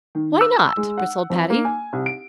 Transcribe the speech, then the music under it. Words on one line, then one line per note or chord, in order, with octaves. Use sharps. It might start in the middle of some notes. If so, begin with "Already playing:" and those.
"Why not?" bristled Patty.
D#3
E6
G#3
F#5
F2
A#3
G#5
C2
D7